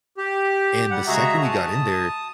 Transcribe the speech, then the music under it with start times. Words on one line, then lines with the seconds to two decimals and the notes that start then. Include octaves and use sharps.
And the second we got in there,
0.18 G4
0.91 G3 F#5
1.07 C#3 G#3 F#4 G#4 E5 A#5
1.42 A5 D#6